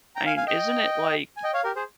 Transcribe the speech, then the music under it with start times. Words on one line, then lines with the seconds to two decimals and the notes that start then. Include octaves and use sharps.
I mean, isn't it, like,
0.16 G5 A#5
0.26 F5 G#5
0.37 F5 G#5
0.47 D#5 G5
1.37 G#5
1.44 D#5 G5
1.53 C#5 F5
1.64 G4 A#4
1.76 G#4 C5